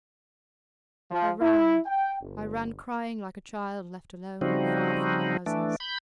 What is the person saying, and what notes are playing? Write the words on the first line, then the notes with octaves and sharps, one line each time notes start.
I ran--I ran crying like a child left alone and far from the houses.
F3
E4
G5
G1
C#3 F3 G3 C4 D#4 F#4
E3 A3 D4
B5 G6